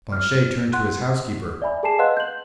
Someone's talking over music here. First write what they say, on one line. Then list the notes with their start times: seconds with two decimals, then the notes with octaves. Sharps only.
Planchet turned to his housekeeper.
0.12 F6
0.73 F#5 C6 F#6
1.62 D5 E5 G#5 B5
1.83 G#4 A4 G#5 A5 C7 E7
1.99 B4 D#5 F5 F#5 C6 F#6
2.17 G6 F#7